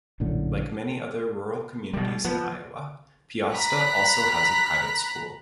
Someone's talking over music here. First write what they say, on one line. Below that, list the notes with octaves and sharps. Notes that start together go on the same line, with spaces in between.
Like many other rural communities in Iowa, Peosta also has a private school.
A#1 F#2 A2 D3
B2 G3
F3 B3
A#5 B5 F#6 B6